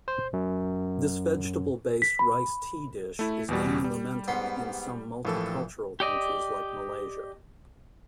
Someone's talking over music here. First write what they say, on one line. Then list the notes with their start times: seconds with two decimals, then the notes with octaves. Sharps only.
This vegetable-based rice tea dish is gaining momentum in some multicultural countries like Malaysia.
0.08 C5
0.33 F#2
2.02 B6
2.19 B5
3.19 A3 E4
3.49 E2 B2 G3
3.84 G3
4.28 G#2 B3 C6
5.25 A#1 A2 E3 A4
6.00 G4 D5 D#5